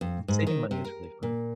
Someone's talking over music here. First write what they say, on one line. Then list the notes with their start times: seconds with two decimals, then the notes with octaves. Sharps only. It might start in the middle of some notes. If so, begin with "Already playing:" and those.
saving money is really fun.
0.01 F2
0.28 G#2
0.47 D#3
0.71 C3
0.85 A#4
1.23 A#2